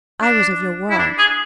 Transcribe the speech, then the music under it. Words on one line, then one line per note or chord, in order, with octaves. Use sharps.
I was of your world.
D4
E4
D4
G#4